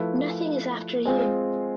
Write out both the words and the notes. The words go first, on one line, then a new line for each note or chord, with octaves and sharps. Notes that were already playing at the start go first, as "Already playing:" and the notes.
Nothing is after you.
Already playing: F3 A3 E4 B4
G#3 C4 F4 G#4 C5